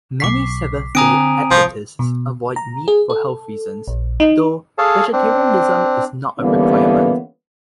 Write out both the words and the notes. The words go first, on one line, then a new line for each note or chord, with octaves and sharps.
Many Seventh-day Adventists avoid meat for health reasons, though vegetarianism is not a requirement.
B1 C#6 D6 B6 C7
D3 C4 G#5 A#5 D#6 D7
C2 F3 C#6
B2
A#5
G#4
A4
A#1
D#4
G#4 A4 C#5 F5 A5
C4 D4
D3 E3 G3 A#3 B3 C#4